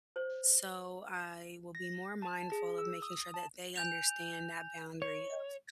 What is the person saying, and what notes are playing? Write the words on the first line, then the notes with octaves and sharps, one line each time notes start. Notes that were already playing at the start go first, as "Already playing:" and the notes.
so I will be more mindful of making sure that they understand that boundary of
C5 C#5
A#6
A5
G#4
E6
D#6
A5
G#5 G6 F7
C#5